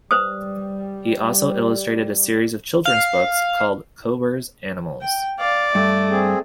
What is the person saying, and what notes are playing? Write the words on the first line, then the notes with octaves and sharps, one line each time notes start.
He also illustrated a series of children's books, called "Cober's Animals".
G3 B4 C5 D#6
F5
G5
D5 F5
G2 A3
C4 G#4